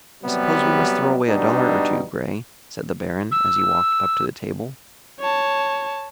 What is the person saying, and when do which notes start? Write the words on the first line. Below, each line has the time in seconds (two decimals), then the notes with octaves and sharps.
"I suppose we must throw away a dollar or two, Grey!" said the baron, as he walked up to the table.
0.23 C3 F#3 G3 B3
1.27 B2 G3 D4 D#4
3.32 E6
5.20 C#5 A5